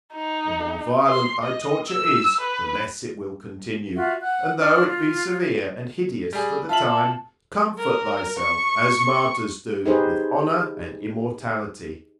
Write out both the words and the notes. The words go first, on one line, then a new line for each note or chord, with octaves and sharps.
The more violent thy torture is, the less it will continue: and though it be severe and hideous for the time, comfort thyself as martyrs do, with honour and immortality.
D#4
C6
D#5
E6
B4
F4 F#4 E5
F#5 F#6
D4 F6
F4
G3 G#4
F4 E5 A5 F#7
A#4
C#6
D#4 G4 G#4 B4 C5